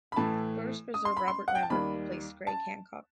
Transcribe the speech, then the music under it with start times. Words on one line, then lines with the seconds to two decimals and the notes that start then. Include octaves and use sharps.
First reserve Robert Lambert replaced Greg Hancock.
0.12 B5
0.16 A2 E3 A3 A5
0.94 D#6
1.05 C6
1.17 B5
1.28 C6
1.48 F#5
1.55 G5
1.63 A5
1.70 D#2 D#3 G3 B5
2.47 A5